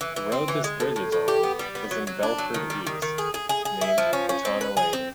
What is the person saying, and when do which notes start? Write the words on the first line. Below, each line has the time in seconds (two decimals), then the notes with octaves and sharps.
The road this bridge is on, is in Belford East, named Pothana Lane.
0.01 E3
0.16 E3
0.32 C4
0.48 E3
0.64 G#3
0.80 A2
0.96 A2
1.12 A2
1.28 G4
1.43 B3
1.59 G3
1.75 B3
1.91 F#3
2.07 F#3
2.23 D4
2.38 F#3
2.54 D#3
2.70 G3
2.87 D#3
3.02 D#3
3.18 G#4
3.34 G#4
3.49 G#4
3.65 G#4
3.81 E4
3.98 F3
4.13 C#4
4.29 C#4
4.45 C4
4.61 B4
4.77 G#4
4.93 C4